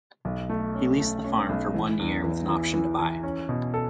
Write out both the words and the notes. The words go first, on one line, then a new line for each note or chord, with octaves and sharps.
He leased the farm for one year with an option to buy.
B1
A3
C#4
A3
C#4
B1
E3
E2
E3
E3
E3
E3
C#4
B2
A4